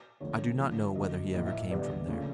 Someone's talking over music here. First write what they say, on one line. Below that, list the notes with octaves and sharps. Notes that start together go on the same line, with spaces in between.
I do not know whether he ever came from there.
D3 F3 A3 C#5
D3 F3 A#3
D3 F#3 A3 D#5
A2 F3 A#3 D#5
E5
D3 G3 B3 D5
C#3 F3 A3